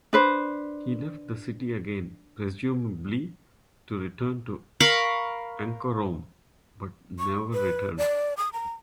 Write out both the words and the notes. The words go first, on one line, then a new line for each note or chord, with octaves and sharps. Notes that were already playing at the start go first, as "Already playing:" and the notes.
He left the city again, presumably to return to Anchorome, but never returned.
D4 B4 C5
A#4 F5 B5 C#6
C#6
B4
D5
D#6
A#5